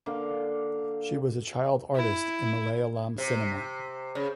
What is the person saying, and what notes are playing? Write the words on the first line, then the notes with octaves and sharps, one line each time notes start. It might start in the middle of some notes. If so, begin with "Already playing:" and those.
She was a child artist in Malayalam cinema.
D3 A#3 F5
E4
C3
C#3